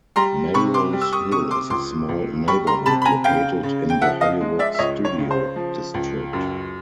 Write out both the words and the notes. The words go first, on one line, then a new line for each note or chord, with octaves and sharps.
Melrose Hill is a small neighborhood located in the Hollywood Studio District.
G3 A#5 C6
C3 B5 C#6
C6 D6
G3
E6
C#6 D#6
C3 C#6 D#6
C6 D6
C#2 C6 D6
C#2
G3 B5 C#6
A#5 C6
C3 A5 B5
B5
G#5 A#5
C#3 F5 G5
C#3
G5
F3 E5 F#5
D#5 F5
G#3
D5 E5
E5
C#2 C#5 D#5
C#5
C#3
C5
F3
C#2
F#2